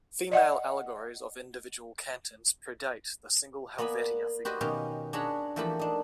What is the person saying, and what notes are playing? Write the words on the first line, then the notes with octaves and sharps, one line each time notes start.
Female allegories of individual cantons predate the single "Helvetia" figure.
D5 D#5 F#5
A#3 B3 D5 G#5 B5
F#4 G4 B4 C5 D5 D#5
B2 D#3 C#4 G4 F5 G5
D4 F#4 G#4 C#5 A#5 B5
E3 F3 A3 A#3 G4 B5
D4 D#4